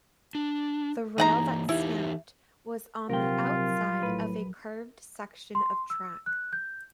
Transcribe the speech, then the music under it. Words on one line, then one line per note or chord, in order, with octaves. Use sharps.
The rail that snapped was on the outside of a curved section of track.
D4
E3 A#3 D#4 F#5 A#5
E3 D#4 E4 G4
A#1 C3 F#3 F4 G4 A#4 G5
A2 B4
C6
E6
F#6
G6